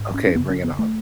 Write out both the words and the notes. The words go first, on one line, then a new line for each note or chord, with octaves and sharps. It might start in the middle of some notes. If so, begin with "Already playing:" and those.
Okay, bring it on.
Already playing: G#2
C#4
C#4
F#2 C#3 B3
C#4
B3
A3